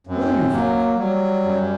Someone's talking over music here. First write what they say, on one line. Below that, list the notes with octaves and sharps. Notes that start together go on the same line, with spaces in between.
'Will you, father?
F#2 C4
F#3 A#3
F#3 G3
F#2